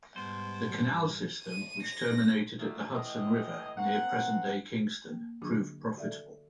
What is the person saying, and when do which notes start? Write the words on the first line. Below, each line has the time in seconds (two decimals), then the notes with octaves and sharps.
The canal system which terminated at the Hudson River near present-day Kingston, proved profitable.
0.16 G#2 B2 G3 C5
1.43 D#7
1.83 A#6
2.59 A#2 D3 D#3 A3 A#3
2.91 A2 E3 D#5
3.77 A#3 C4 F#5
5.09 A#3
5.42 D3 F#3 D4 F#4 G#4 D6
5.97 F#4 A4 D5 E5 F5